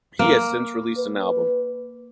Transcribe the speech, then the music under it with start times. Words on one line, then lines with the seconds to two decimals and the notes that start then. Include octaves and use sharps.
He has since released an album.
0.19 A#3
0.98 B4